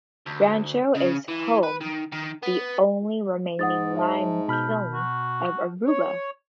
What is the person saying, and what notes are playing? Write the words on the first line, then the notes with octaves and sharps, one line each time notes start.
Rancho is home the only remaining lime kiln of Aruba.
D2
C#3
E3
B4
D#3
D#3
B3
G#2 F#5 D#6 A6
C5 E5 A5
B2 A5 B5 F6 G6
F#4
C#5